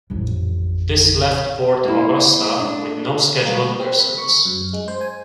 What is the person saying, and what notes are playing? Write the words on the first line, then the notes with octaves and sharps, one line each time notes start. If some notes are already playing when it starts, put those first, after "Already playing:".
This left Port Augusta with no scheduled air service.
A1 F2
A#3 E4
D4
A#3
C4
B5
C#6
F#2
G#3
C5
G#5